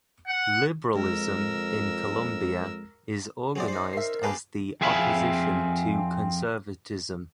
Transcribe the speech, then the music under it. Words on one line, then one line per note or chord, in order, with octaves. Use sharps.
Liberalism in Colombia is organized as the opposition to conservatism.
F#5
F2 G#3 A#4 E6
F#3 C4 E4 G#4 D5
D#4 C5
A#4 E5 C7
A#3 G4 G#4 B4 A5
F2 C4 G#4 E5 F5 B5